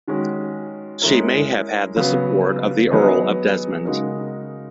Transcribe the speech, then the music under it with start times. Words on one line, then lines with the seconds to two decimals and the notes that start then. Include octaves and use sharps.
She may have had the support of the Earl of Desmond.
0.08 D#3 G#3 C#4 F#4
1.02 G#3 C#4 E4 A#4
1.96 C#3 F#3 B3
2.91 F#3 B3 D#4 G#4 D#5
3.85 C#3 G#3 D#4 F#4 A#4